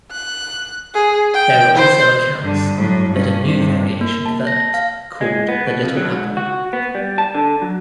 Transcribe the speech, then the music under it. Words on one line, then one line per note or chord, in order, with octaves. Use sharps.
There are also accounts that a new variation developed called the Little Apple.
F#6
G#4
G5
C5
G2 D3
A2 F#3
G2 C#4
G2 C3
A#3
A5
A#6
F5
G#3
B3
B2
F2
F#3
G#2
F#4
B3
G3
A5
D3
F#3